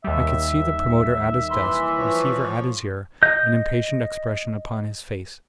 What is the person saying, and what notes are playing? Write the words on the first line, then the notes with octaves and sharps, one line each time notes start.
I could see the promoter at his desk, receiver at his ear, an impatient expression upon his face.
D#2 G3 E5
E3 B5 C6
F3 C#5
D#5 G6